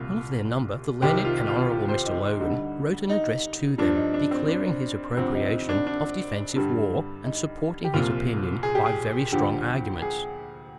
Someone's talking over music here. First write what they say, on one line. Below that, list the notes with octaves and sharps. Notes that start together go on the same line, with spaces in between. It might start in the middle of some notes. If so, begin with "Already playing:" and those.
One of their number, the learned and honorable Mr. Logan, wrote an address to them, declaring his approbation of defensive war, and supporting his opinion by very strong arguments.
Already playing: C2 A#2 G3 F4
C2 C3 D#3 G4
F4
F4
F4
C5
D#4
D#4
D2 D3 G3 D#4
D#4
G2 F3 D4
D#4
D4
C4
D4
D2 C3 F3 C4
D#4
D4
D4
G2 D3 G3
D#4
G4
C2 A#2 F3 F4
G#4
G4
G#4
D2 D3 F3 G4
G#4